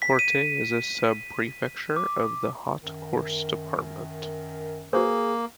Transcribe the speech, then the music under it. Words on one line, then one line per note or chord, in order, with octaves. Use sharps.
Corte is a subprefecture of the Haute-Corse department.
B6
D#7
D6
F#2 D#3
A#3 F#4 G#4 B4 C5